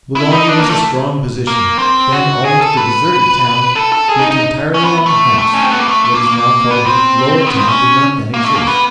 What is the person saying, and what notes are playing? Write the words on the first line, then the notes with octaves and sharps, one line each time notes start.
Boulogne was a strong position, then almost a deserted town, built entirely on the heights; what is now called the lower town did not then exist.
E4
D#4
D4
A#3
A3
A#3
C4
F#4
G#4
A4
B4
A4
A4
G#4
D#4
D#4
C#4
B3
A3
A3
C#4
C4
B3
A#3
A3
A3
A#3
A#3
A#3
B3
C4
B3
C4
C#4
A#3
A3
A#3
B3